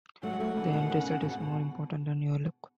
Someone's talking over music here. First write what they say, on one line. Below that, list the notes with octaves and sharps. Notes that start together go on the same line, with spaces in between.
The end result is more important than your look.
F#3 A3 F#5
G#3
F#3 A3
C#3 E3
B2 D#3
C#3
B2
C#3
B2